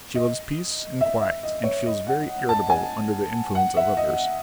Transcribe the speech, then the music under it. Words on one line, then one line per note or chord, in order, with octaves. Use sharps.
She loves peace and quiet, and feels very irritable under the influence of others.
D#5
E5
E5
D#5
C#5
D#5
F#5
A5
G#5
F#5
E5
D#5